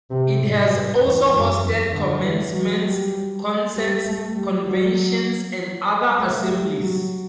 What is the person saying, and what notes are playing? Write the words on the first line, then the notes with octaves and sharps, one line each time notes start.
It has also hosted commencements, concerts, conventions and other assemblies.
C3
A2
G2
E2
F#2
E2
D3
E3
F#3
G3
G3
A3
G3
F#3
A3
G3
F#3